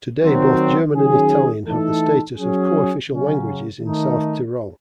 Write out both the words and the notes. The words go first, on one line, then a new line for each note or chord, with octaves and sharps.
Today both German and Italian have the status of co-official languages in South Tyrol.
D#3 F#3 C4
D#3 F#3 C#4 G#4
E3 A3 D#4 A4
F#3 C#4 G#4
C#3 F#3 C#4
D#3 A3 D#4